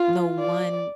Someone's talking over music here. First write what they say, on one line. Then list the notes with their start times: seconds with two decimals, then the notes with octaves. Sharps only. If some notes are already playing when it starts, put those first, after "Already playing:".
no, one
Already playing: F4
0.39 D5